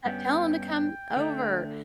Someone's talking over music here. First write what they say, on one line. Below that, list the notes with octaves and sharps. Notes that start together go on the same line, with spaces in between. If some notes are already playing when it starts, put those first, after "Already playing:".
that te tell 'em to come over."
G2 B3 C#4 G5
D3 A3